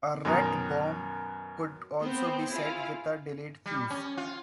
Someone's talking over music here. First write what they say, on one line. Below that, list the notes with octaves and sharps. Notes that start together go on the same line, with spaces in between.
A rat bomb could also be set with a delayed fuse.
F#2 B2 D#3 A#4 A#5 D#6
B3 C4 C5
E4 F4 G#4 F5
G3
C#4
F4